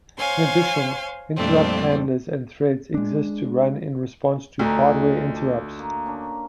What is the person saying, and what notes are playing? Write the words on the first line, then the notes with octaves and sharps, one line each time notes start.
In addition, interrupt handlers and threads exist to run in response to hardware interrupts.
C5 C#5 F5 G#5 C6
F2 A#2 G3 A3 C4 D4
G#3 D4
D2 D#4 F4
D4
A#3
C#4 D4 A#4